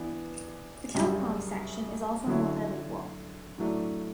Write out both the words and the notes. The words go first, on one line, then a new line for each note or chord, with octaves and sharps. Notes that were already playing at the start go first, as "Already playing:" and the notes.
The telecomms section is also multilingual.
Already playing: E3 B3 D4
F#2 C#3 G3 D4
D3 F#3 C#4 E4
A2 F#3 A3 D4